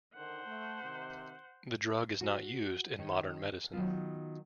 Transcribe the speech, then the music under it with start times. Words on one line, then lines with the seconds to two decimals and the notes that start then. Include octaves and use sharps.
The drug is not used in modern medicine.
0.15 D3 D#3 C5 F#5
0.45 A3
0.82 C3 D#3
2.21 F#4
2.98 D#3 C#5
3.73 D#3 F#3 B3 F4